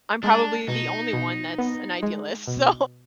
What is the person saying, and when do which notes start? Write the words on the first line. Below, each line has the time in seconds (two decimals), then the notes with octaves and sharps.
I'm probably the only one that's an idealist, so,
0.23 G#3 D4
0.68 B2 D#4
1.13 B2
1.58 B3
2.03 G#3
2.47 B2